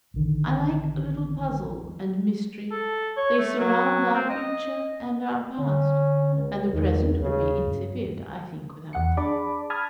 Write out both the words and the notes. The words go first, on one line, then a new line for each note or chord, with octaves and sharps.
'I like a little puzzle and mystery--they surround our future and our past; and the present would be insipid, I think, without them.
A#1 D3 D#3
A4
C#5
A3
F#3
C4
D#5
D3 C#4
C#2
E2 D#3
D#2 C#3
G2
E2 F#5 C#7
D4 G#4 D5 A5 B5 D6
A5 B5 D#6 F6 G#6